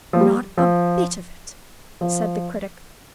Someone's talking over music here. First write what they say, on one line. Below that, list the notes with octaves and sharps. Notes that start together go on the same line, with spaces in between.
"Not a bit of it," said the Critic.
F3
G3
F3
F3